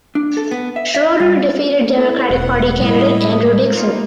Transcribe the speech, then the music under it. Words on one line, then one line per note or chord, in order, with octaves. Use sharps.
Schroeder defeated Democratic Party candidate Andrew Dixon.
D4
A4
B3
E5
E5
G3
E4 A4
E1 F#5
A2 G3 A3 E4 D#5 B5
A#3 D#4 F4